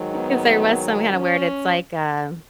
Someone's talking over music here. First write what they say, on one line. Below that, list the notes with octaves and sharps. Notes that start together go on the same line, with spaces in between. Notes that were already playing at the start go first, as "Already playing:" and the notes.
'cause there was some kinda word, it's like, uh
Already playing: G#2 D#3 F#3
B3
C#4